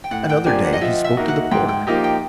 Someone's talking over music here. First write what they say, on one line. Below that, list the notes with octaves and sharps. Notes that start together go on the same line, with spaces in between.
Another day he spoke to the porter.
G5
A2 F#5
G5
F3 A#3 D4 G4 G#5
F#5
D#5
F3 E5
E5
A#3 D#4 F#4
F#5
G#2 G5
G5
F3 A#3 D#4 G4
G5